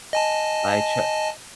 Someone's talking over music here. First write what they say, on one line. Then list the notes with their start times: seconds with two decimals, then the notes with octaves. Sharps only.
I tr
0.13 D#5 G#5 A5